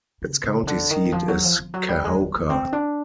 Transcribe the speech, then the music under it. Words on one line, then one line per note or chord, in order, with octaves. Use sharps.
Its county seat is Kahoka.
C#3
C#3
C#3
D3
D#3
F3
F#3
F3
F3
F#3
G3
G#3
G#3
A#3
C4
D4